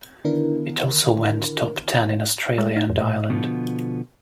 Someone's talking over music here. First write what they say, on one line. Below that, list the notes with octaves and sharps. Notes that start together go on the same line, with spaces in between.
It also went top ten in Australia and Ireland.
D3 D#3 B3 D4 E4 A#4
G#3
D#4
F2
A#2
B2 D3 D#3 F3 B3